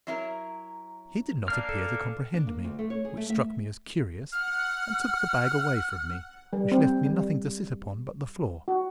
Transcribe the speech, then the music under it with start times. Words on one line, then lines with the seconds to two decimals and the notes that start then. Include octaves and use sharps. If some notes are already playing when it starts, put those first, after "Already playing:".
He did not appear to comprehend me, which struck me as curious, and took the bag away from me, which left me nothing to sit upon but the floor.
0.07 F#3 E4 A#4
1.48 A#3 D4 F5 F6
1.69 A4
2.34 D4
2.47 A#3
2.65 D2
2.79 A3
2.90 C#5
3.05 G#4
3.17 A3
3.30 E5
4.32 F#5 F6
6.53 G3
6.72 C4
7.06 G3
8.68 F#4